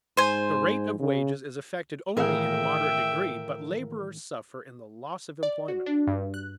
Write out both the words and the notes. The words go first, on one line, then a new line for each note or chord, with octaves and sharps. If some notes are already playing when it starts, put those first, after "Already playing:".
The rate of wages is affected only in a moderate degree, but laborers suffer in the loss of employment.
G#2 C5 G#5
C#3
A2 D#3 E3 G#4 A#4 E5 F5 G5
D5
F#4
D4
G2
F#6